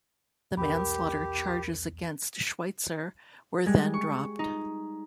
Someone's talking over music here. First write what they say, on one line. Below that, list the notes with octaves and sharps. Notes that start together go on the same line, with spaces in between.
The manslaughter charges against Schweitzer were then dropped.
B1 E2 G4 A#4 B5
G3 G#3 G#6
C#6
D#4